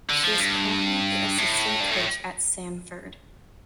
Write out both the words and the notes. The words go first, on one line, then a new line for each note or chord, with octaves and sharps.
She is currently the assistant coach at Samford.
D3
F3
G2
A2
G2
A2